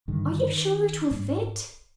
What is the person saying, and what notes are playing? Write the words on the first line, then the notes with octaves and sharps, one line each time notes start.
Are you sure it will fit?
G2 D3 D#3
G#2 G3 A#3